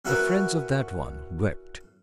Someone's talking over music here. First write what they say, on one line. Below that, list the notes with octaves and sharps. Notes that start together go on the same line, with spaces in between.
The friends of that one wept.
B3 C#4 E4 F#4 A#4 B4